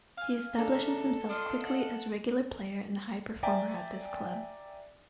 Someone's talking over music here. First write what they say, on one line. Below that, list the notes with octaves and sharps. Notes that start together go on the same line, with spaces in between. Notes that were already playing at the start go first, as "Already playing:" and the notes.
He establishes himself quickly as regular player and high performer at this club.
F5 G#5
C#3 A3 D4 A4 A#5
D4 F4 D#5 C6
F#5
D5 E5 G5 G#5 A#5